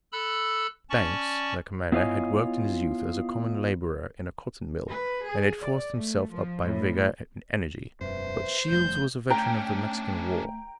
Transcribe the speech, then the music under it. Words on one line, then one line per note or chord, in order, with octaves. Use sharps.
Banks, their commander, had worked in his youth as a common laborer in a cotton mill, and had forced himself up by vigor and energy, but Shields was a veteran of the Mexican War.
A4 B5 E6 F#6
C#4 D5 A5 C#6
B3 E4 F4 C#5 D#5 G#5
B4
G#4
D5
A3
F3
A2
E1 F#2 B4 C5 E5
E1 F2 F3 G3 A3 G6
A3 C#4 D4 G5 A#5